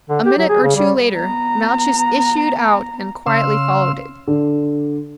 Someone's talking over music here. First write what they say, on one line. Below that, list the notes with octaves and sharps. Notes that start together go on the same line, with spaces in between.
A minute or two later Malchus issued out and quietly followed it.
D3
G4
F#3
G#4
C#3
G3
B3 A#5
C#3 F5 C6 E6
D3